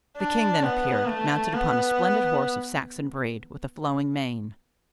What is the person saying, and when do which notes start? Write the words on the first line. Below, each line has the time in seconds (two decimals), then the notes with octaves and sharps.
The king then appeared, mounted upon a splendid horse of Saxon breed, with a flowing mane.
0.17 D4
0.63 B3
1.08 A3
1.54 B3